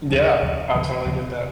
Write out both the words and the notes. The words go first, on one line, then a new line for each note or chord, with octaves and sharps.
Yeah, I totally get that.
D#2 C#3 F3
D#2 C#3 F3
D#2 C#3 F3
D#2 C#3 F3